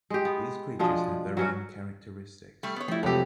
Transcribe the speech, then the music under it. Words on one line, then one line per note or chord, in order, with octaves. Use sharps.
These creatures have their own characteristics.
G#3 G4
B3
B2 F3 G#3 D4
F#3 C#4 F#4
G3 A3
B3 C#5
F3 G3 A3 E4
F2 C3 F#3 G#3 B3 G4 A4